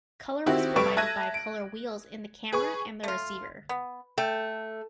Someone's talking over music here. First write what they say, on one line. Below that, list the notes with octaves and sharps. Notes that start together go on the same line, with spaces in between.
Color was provided by color wheels in the camera and the receiver.
D#3 C4 E4 F#4 G4
F1 G3 B4 C#6 D7 E7
E5 A5 F#6 G#6 A#6 D#7
D7
G#4 B4 G#5 C#6
A3 F4
B3
A3 G5